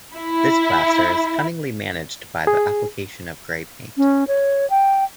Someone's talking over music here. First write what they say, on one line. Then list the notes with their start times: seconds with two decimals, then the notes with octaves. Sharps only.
This plaster is cunningly managed by the application of gray paint.
0.15 E4
2.47 G#4
3.97 C#4
4.28 C#5
4.70 G5